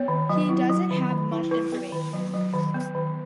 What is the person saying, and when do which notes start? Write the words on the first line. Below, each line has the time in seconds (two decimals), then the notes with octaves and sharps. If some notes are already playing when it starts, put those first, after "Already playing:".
He doesn't have much information.
Already playing: B3 C#5
0.08 D#3
0.29 F#3
0.49 E4
0.70 F#3
0.90 D#3
1.11 D#3
1.31 E4
1.51 E4 B4
1.72 B3
1.92 D#3
2.13 F#3
2.33 F#3
2.54 D#3
2.74 B3
2.95 D#3